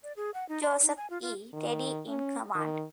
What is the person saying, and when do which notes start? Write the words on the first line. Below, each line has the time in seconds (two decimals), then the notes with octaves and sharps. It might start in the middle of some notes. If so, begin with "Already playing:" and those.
Joseph E. Reedy in command.
0.03 D5
0.17 G#4
0.34 F#5
0.49 D#4
0.63 C6
0.82 D#4
0.97 G#5
1.10 F4
1.22 F4
1.53 D#3
2.08 C#4
2.55 D#3